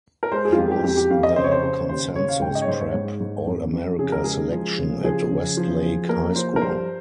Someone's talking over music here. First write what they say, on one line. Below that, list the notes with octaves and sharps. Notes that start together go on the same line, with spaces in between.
He was the consensus prep All-America selection at Westlake High School.
A#4
G#3 C5
G#4
F4
F2 G4
G4
F2 G4
G4
F2 F5
D#5
C#3 C5
C#5
C5
C#3 C5
D#2 C5
C#3 C#5
F5
G#2 G5
D#5
C#5
G#2 C5
C#5
G#2
G#2
F2
F2
C#3 G#4
A#4
G#3 G#4
F3
C#3
F3 G#4
C#3
F3
F3
A#3 A#4
F3 C5
A#4
G2 C5